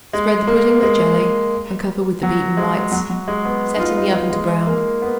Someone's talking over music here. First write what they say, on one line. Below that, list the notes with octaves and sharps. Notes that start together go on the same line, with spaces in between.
Spread the pudding with jelly and cover with the beaten whites; set in the oven to brown.
G#3
A#3
G#3
F#3
G#3
F#3
F#3
G#3
B3
D#4
F4
D#4
D#4
G#3
A#3
B3